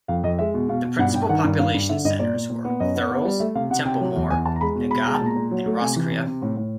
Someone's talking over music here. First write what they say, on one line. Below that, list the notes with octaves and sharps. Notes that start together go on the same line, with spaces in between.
The principle population centres were Thurles, Templemore, Nenagh and Roscrea.
F2 F5
F2 D#5
G#3 E5
B2
B2 F5
B2
G2 F#5
G2 G5
D#3 F#5
G2
G2 F5
G2
D3 E5
G2 D#5
A#2 D5
A#2
A#2
B3
F#2 D#5
B3
B3
G3
A3 E5
C3 F5
C3 F#5
C3 G5
F#3
E2
E2 G#5
E2 A5
A#5
G#3 B5
B2
B2 B5
G#3 A#5
A5
A#2
A#5
A#2
F#3
A3
C3 G#5
E3
C3
C3
A2
A2